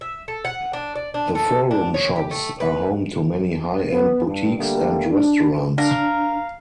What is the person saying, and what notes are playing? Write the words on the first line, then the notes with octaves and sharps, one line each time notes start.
The Forum Shops are home to many high-end boutiques and restaurants.
E5
A4
F#5
D4
D5
D4
A4
D4
C#5
G4
A3
B4
B3
G2
D3 G3 A3 A#3
D4
D4 A#4 F5